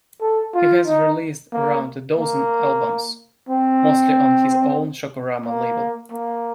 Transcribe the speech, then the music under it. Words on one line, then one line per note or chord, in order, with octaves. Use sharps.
He has released around a dozen albums, mostly on his own Shockorama label.
A4
F4
D#4
A#3
A#3
C4
A#3
A#3